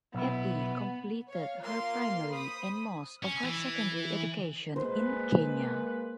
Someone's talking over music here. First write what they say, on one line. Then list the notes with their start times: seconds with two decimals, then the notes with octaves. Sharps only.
Abdi completed her primary and most of her secondary education in Kenya.
0.15 B1 B3 E4
1.29 C#5 F5
1.60 A#3 F4 F5 C6
2.30 C5 B5 D#6
3.23 C#4
3.44 E3
4.76 G#3 A#3 B4 C5